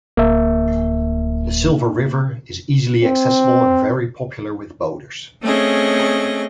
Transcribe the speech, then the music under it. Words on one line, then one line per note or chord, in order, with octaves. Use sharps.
The Silver River is easily accessible and very popular with boaters.
D1 A#3 E5
C4
A3 C4 C#4 G#4 D#5